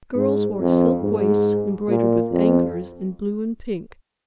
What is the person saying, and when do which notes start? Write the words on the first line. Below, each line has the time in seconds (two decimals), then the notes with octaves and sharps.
Girls wore silk waists embroidered with anchors in blue and pink.
0.16 G#2
0.59 F2
1.02 G#2
1.88 A#2
2.31 F2